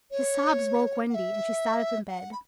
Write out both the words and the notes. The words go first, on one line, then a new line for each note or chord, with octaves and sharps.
His sobs woke Wendy, and she sat up in bed.
C#5
F#5
E5
F#5
B5